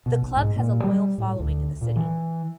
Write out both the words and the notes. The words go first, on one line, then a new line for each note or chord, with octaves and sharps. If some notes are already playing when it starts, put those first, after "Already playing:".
The club has a loyal following in the city.
B2
B1
G#2
A#2
G3
A2
D2
A#2
E3